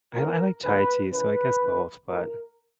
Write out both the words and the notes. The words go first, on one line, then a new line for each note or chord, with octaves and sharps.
I li I like chai tea, so I guess both, but
E2 C#3 F3 A3 A#4
D2 D3 F#3 A#3 B4
F#2 C#3 E3 B4
D#2 D3 F3 A3
G2 E3 A3 A#4